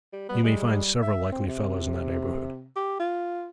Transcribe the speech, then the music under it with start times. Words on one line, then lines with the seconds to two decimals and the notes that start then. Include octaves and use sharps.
You may find several likely fellows in that neighbourhood.'
0.13 G3
0.29 G3 B3
0.44 G3 G#3
1.02 E5
1.32 C4
1.48 C3
2.76 G4
3.00 F4